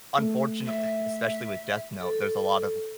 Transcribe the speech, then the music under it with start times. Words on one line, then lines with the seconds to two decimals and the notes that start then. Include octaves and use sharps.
unfortunate eh, especially with Death Note, there's a lot of
0.18 A3
0.66 E5
2.01 A4